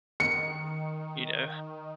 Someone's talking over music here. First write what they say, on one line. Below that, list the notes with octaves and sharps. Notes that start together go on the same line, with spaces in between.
you know?
D#3 C#7